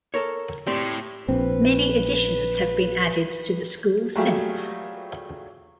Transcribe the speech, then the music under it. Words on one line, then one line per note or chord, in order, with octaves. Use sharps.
Many additions have been added to the school since.
A4 A#4 C#5
A2 C4 G4 D5
A#1 C4 B4
F#3 G3 A3 F4 G4 G#4